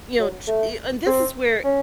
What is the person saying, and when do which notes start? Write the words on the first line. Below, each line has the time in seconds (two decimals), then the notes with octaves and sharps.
you know, t and this is where,
0.19 F#3
0.47 A3
1.06 C4
1.64 C#4